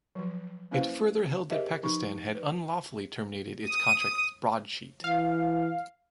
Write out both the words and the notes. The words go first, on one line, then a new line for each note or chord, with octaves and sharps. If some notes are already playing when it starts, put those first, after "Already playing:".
It further held that Pakistan had unlawfully terminated its contract with Broadsheet.
F3 F#3
A#3 C#4 E4 B4 C5 F5
G4 G#4 A#4 C5 D#5 E5
F3 D#4 C#6
B4
D#6
E3 F5